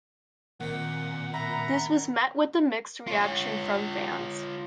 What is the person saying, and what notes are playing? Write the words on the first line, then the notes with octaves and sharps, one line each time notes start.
This was met with mixed reaction from fans.
A#2 D#3 C4 F#5
E5 F#5 A#5 B5
F4 C#5